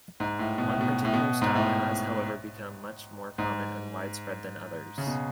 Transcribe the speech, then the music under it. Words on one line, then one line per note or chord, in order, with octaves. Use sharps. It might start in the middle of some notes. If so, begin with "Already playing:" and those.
One particular style has, however, become much more common and widespread than others.
G#2
A2
B2
A2
B2
A2
B2
G#2
A2
G#2
C#3
B2